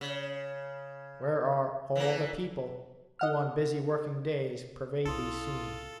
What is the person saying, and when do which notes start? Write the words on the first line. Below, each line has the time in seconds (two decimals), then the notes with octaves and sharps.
Where are all the people who on busy working-days pervade these scenes?
0.01 C#3
1.95 E3 A#3
3.19 D#5 F#5 F6
5.05 B1 C#4 E4 F4 A4 C6 D#6